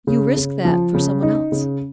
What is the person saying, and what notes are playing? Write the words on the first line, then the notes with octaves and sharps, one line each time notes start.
"You risk that for some one else."
C#3
C#3
F3
C#3
D#4
C#3